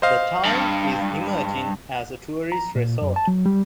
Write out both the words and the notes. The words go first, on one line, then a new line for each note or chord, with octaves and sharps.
The town is emerging as a tourist resort.
C5 D#5 F5
G2
A#5
A#2
F#2
A5
F#3
G3